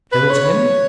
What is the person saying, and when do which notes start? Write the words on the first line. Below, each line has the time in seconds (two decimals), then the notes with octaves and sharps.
"Killed him?"
0.12 B4
0.30 C#5